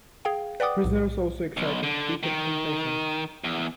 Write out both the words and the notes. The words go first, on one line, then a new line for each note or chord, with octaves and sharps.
Prisoners also excited Peter's compassion.
G#4 F5 G5
B4 D5 F#5 G5 D6 D#6
B1 A2
B1
D3
D#3
E2